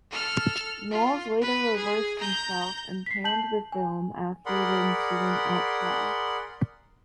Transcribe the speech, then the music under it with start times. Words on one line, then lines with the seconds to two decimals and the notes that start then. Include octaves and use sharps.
Knowles later reversed himself and panned the film after the ensuing outcry.
0.11 A4 F6
0.91 F4
1.41 B4
1.76 G#4
2.19 A#5 G6
3.06 B6 C7
3.24 A5 G6 F#7
3.72 G#5
4.46 G#4 A#4 D5 F#5 B5 C6